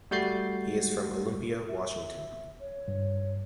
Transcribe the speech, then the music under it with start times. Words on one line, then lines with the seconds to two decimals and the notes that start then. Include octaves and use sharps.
He is from Olympia, Washington.
0.11 G3 A3 F#4 G6 A6 C7
1.69 E5
2.60 C#5
2.88 G2